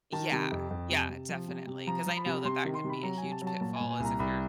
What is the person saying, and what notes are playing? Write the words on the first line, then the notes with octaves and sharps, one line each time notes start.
Yeah. Yeah, definitely, 'cause I know that that can be a huge pitfall, is if you're
D#3 A5
C3
F2
F2
C3
C3
F3
C3
C3
F3 A#5
F3
B5
C3
C3 C6
D#3
C6
C3
B5
F#3 A#5
G#5
C3
A5
F#3
A5
A#2 A5
A#2 G#5
G#5
C2 A#5
C2 B5